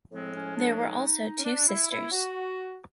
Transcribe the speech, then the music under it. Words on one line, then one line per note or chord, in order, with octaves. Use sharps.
There were also two sisters.
A2 F3 G#3 C4
C#4
D4
D#4
C#4
D4
E4
E4
F#4